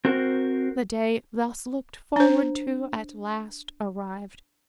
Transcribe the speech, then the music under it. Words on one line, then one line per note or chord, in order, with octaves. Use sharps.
The day thus looked forward to at last arrived.
C4 F#4 A#4 C5
D4 C5